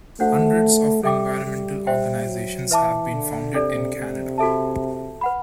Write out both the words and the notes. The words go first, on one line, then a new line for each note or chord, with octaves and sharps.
Hundreds of environmental organizations have been founded in Canada.
A3 D4 F#4 C5 F#5
G3 A4 E5 G5 D6
G3
C5 E5 G5
F#3
E3 B4 E5 A5 D6
D3
C3 D4 A4 D5
C3
F#4 A4 E5 A5
B4 F#5 B5